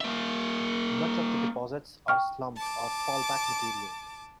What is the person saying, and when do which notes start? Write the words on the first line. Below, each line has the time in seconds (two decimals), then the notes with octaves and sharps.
Much of the deposits are slumped or fall-back material.
0.01 A#3 E5
2.08 G5 C#6 F6
2.57 A5 D6